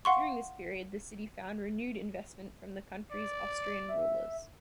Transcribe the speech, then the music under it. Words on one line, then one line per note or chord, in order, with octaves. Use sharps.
During this period the city found renewed investment from the country's Austrian rulers.
F5 F#5 C6 C#6
D5
E5